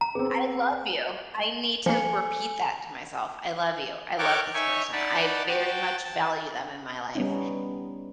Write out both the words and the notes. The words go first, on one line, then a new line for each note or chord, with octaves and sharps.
I love you." I need to repeat that to myself. "I love you. I love this person. I very much value them in my life,
A#5
B3 C4 G#4
F3 A#3 A4 G#5 C#7
A4 A#4 C#5 G5 D6 F#6
D#4 C#5 E5 G#5 C#6
D#4 D5 F#5 A5 B5
F#4 G5 A5
A5
G3 B3 C#4 D#4